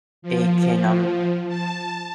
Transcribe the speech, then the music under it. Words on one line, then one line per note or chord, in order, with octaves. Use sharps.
it can, um
F3
A5